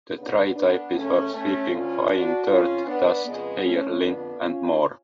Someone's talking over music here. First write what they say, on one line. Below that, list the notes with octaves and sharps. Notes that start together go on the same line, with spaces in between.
The dry type is for sweeping fine dirt, dust, hair, lint, and more.
D2 C#3 B3 D4
B3 D4
F#2 C#3 A3 C#4
A3 C#4
D2 D3 C#4 F4
D4 F#4
F2 C#3 C#4 F4
B3 D4
F2 C#3 G#3 B3
A3 C#4
F2 D3 B3 D4
C#4 F4